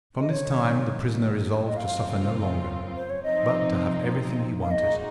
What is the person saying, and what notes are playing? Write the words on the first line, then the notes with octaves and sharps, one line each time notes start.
From this time the prisoner resolved to suffer no longer, but to have everything he wanted.
D#5
G#2 D#3 F#3 C#5
D#5
F#2 C#3 F#3 C4 F4 F5
C5
C#5
C3 F3 C4 D#4 D#5
F5
A#2 G#3 D#4 F#4 D#5